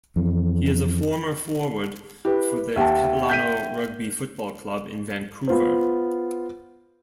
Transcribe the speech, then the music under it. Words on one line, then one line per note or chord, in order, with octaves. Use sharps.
He is a former forward for the Capilano Rugby Football Club in Vancouver.
F2 E3
E4 G4 B4
D#2 E5 F#5 G5 A5
G6 B6 D#7
B3 F4 C5